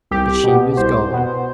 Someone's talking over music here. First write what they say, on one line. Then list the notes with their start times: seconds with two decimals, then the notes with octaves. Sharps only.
But she was gone.
0.11 C2 G4
0.44 B2 B3
0.77 C2 C5
1.11 B2 B3